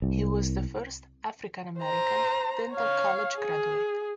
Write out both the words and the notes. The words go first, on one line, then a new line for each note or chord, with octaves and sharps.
He was the first African-American dental college graduate.
C2
C5 A#5
C#5 F5
G#4